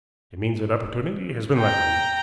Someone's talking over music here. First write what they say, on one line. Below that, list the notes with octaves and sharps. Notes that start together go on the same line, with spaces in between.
It means that opportunity has been lacking.
G5 A#5